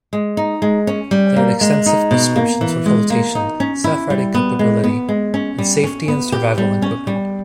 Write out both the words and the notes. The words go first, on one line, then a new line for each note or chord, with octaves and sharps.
There are extensive prescriptions for flotation, self-righting capability, and safety and survival equipment.
G#3
D#4
G#3
C#4
G3
A#3
G#3
D#4
B2
A#3
E3
G#3
A#3
D#4
C#4
E4
G3
B3
G#3
B3
G#3
C#4
G3
C#4
B3
G4
G3
C#4
G3